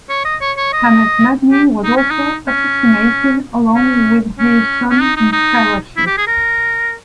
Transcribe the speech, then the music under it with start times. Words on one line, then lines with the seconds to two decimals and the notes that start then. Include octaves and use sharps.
Ahmed Madni was also assassinated, along with his son, in Karachi.
0.09 C#5
0.25 D#5
0.41 C#5
0.57 C#5
0.73 D#5
1.51 G4
1.84 D#4
1.97 C#4
2.11 D#4
2.47 C#4
3.74 C#4
4.38 C#4
4.90 C#4
5.01 D#4
5.16 D#4
5.32 D#4
5.97 E4
6.06 G4
6.17 G#4
6.27 A#4